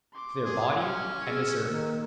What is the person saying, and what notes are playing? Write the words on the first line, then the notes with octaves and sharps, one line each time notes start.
To their body and this earth.
C6 D6
G#4
C#4
G#4 E6
D#3 A#3